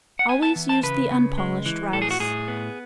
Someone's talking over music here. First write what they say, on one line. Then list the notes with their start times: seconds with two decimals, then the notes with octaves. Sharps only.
Always use the unpolished rice.
0.19 F#5
0.29 B3 G#5
0.42 A5
0.56 E3
0.69 A5
0.83 C#3 B4
1.11 C#3
1.38 G#3
1.66 E3
1.92 A2 A4
2.02 G#4
2.11 F#4
2.20 A2 G#4
2.48 B3